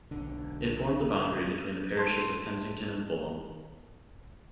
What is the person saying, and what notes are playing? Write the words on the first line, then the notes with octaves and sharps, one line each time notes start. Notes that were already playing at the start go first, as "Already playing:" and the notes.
It formed the boundary between the parishes of Kensington and Fulham.
B1 D3
A4 C6